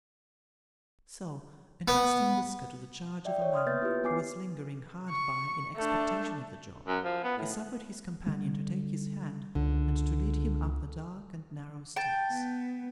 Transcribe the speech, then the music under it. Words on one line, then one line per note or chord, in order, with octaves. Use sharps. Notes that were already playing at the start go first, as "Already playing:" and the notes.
So, entrusting Whisker to the charge of a man who was lingering hard by in expectation of the Job, he suffered his companion to take his hand, and to lead him up the dark and narrow stairs.
B3
D5 E5 G5
C#5
C6 D#6 F6
A#3 B3 B4 E5 G6 A6
E4 F4 G4 B4
B3 F#4 G#5 D6 C7
C#6
A3 D4
F#2
F3
B3
A2
D3 G3
C#2 D3
G5 A5
B3